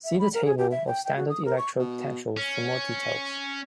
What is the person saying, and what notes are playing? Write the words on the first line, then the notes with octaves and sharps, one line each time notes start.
See the "table" of standard electrode potentials for more details.
E5
B5
A#4
G#4
G4
E5
G5
G5
F#4
D#6
A#4
C#6
B2
C#4